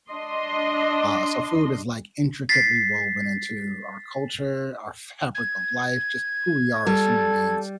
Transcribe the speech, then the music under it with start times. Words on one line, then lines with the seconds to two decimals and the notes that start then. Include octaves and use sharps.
uh, so food is, like, intricately woven into our culture, our fabric of life, just who we are as human beings,
0.10 D4 D#5 C6
2.49 A6 B6 C7
5.35 G#6
6.87 G3 A4